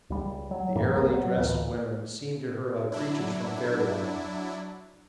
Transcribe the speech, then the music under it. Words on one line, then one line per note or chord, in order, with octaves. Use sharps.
The airily dressed women seemed to her like creatures from fairy-land.
C#2 G3
F#3
F#2 A2 E3 A#3
E1 B1 G3 A#3
F#3
A1 D2 A#2 E3
F#3 D4 E4